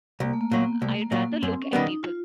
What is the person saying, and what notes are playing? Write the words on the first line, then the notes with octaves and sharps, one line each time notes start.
I’d rather look at people.
C2 A#3
A3
A#3
A#2 F#3 B3
A#3
C2 A3
A#3
A#2 F#3
A#3
F#2 C4
C#4
D#3 G3 B3
D#4
F4